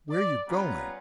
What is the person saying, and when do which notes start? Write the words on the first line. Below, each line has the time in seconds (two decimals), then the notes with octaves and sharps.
Where you going?
0.10 D5
0.48 G3 B3 C#4 F4 B4 A#5